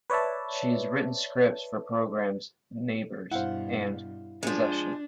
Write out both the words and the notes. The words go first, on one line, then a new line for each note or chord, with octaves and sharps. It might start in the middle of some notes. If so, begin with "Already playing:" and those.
She has written scripts for programme's "Neighbours" and "Possession".
B4 C#5 D5 E5 A5
G2 B2 E4 C5 F5 F#5
F3 G#3 D4